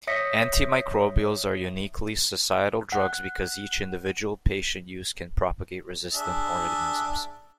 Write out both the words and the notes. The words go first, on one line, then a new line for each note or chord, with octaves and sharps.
Antimicrobials are uniquely societal drugs because each individual patient use can propagate resistant organisms.
C#5 E5 D#6 A#6 B6 C#7
F#5
D4 G#4 E5